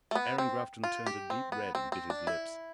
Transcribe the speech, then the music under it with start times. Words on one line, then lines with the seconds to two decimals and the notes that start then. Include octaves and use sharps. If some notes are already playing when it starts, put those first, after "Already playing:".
Aaron Grafton turned a deep red and bit his lips.
0.11 A3
0.15 B3
0.38 C4
0.84 F4
1.06 G4
1.30 C4
1.52 B3
1.75 C4
1.92 C4
2.10 D4
2.27 E4